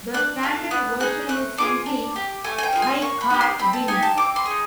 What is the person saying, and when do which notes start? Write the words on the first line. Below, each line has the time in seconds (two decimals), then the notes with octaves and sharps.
The standard version is simply high card wins.
0.14 D4 F#6
0.43 F4 A4
0.71 B3 F#6
1.00 D#4 G#4 F#6
1.29 A3 F#6
1.57 D4 F4 G#4 D6
1.86 D4
2.16 G4
2.44 A3 G#5
2.58 G#5
2.63 G5
2.73 C#4
2.76 F4 G#4
2.82 G#5
3.01 A#3 C#6
3.21 B5
3.30 D#4 G4
3.41 C6
3.59 C4 B5
3.73 A5
3.88 D#4 G4 G#5
4.03 A5
4.17 C4 D6
4.36 C6
4.45 D#4 G#4